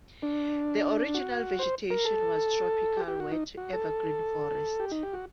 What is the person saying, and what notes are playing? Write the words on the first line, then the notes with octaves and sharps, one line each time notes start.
The original vegetation was tropical wet evergreen forest.
D4
F#4
C5
A#4
A4
G4
G4
F#4
D#4
F#4
A4
G4
D#4
G4
F#4